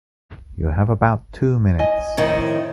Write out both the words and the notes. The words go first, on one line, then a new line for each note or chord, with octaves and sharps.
You have about two minutes.
D#5 G#5
F2 A2 D#3 C#5 D#5